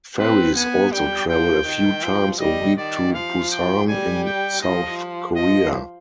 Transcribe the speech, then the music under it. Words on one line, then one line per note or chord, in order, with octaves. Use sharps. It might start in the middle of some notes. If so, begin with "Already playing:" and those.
Ferries also travel a few times a week to Busan in South Korea.
C4 B4
B3 G#5
G3 G5
F3 G5
D#3
F3
G3 D#5
D#3 D5
F3 F5
G5
G3 G#5
G5
F3 D#5
F3 D#5